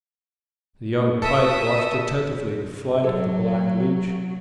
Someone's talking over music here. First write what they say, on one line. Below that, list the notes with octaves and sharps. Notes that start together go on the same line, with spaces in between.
The young pike watched attentively the flight of the black leech.
A4 E5 D#6
F#3 A4 C#5